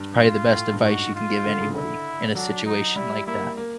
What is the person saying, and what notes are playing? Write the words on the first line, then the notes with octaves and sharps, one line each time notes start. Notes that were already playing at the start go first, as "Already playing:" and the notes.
probably the best advice you can give anybody in a situation like that.
Already playing: G2
F4
A2
G2
G#2 F#4
F4
D3
C#3
D3 E4
F#3 D4
D#4
G3 E4
A#3 E4
A#3